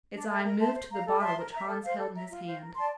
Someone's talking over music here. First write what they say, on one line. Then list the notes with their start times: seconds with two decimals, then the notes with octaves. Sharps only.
Its eye moved to the bottle which Hans held in his hand.
0.13 D4
0.28 A4 E5
0.44 A#4
0.59 E5 A5 C6
0.75 C5
0.91 F5 A#5
1.06 A4
1.21 E5 A5 C6
1.37 A#4
1.52 E5 A#5
1.68 A4
1.83 C5 F5
1.99 A4
2.15 E5 A#5
2.30 F4
2.45 C5 F5
2.61 A#4
2.75 D5 A5 C6